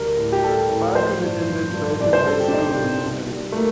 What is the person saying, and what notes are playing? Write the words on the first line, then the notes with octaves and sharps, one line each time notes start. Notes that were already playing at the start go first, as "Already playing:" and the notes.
Falcon attended Belton High School in Missouri.
Already playing: D2 G3 A#4
A2
G4
G3 A4
A2
F3 C5
G2
F3
G2
C2 D5
C5
G3 A4
G4
D4
A#2 D#4
C2
C2
G3
A3
A#3